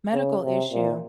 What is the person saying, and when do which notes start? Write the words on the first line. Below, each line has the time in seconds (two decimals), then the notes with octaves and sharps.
medical issue.
0.13 C#3
0.42 C3
0.72 A#2